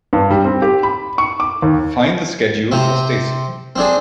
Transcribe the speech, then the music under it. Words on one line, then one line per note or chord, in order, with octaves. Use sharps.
Find the schedule for Stacey.
G2
G3
C4
G4
B5
C#6
D6
D#2
C3 C4
C4 D4 G#4